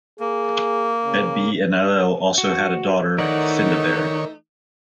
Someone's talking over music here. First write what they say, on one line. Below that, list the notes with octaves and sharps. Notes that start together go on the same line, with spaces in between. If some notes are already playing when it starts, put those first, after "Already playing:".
Medb and Ailill also had a daughter, Findabair.
A#3 G#4
C#3
F#4
D#3 E3 A3 D#4 A#4 C#5 D5 F#5